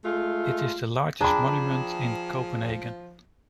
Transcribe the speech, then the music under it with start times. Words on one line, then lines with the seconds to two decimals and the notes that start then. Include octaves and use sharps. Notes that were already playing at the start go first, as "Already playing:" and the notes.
It is the largest monument in Copenhagen.
0.04 G#3 A3 F4
1.21 F3 D4 G#4 G5 A#5 B5